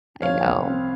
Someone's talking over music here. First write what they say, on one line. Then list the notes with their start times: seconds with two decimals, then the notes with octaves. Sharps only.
I know.
0.22 F3 C#5 F5
0.44 C2
0.66 C4